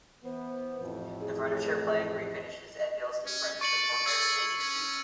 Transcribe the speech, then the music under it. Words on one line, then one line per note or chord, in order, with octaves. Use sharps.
The furniture plant refinishes and builds new furniture for various agencies.
E3 B3 C5
A1 F2 A2
G#4
C#4
D5 C#6 C#7 F#7
G#4 E6 A6
C#4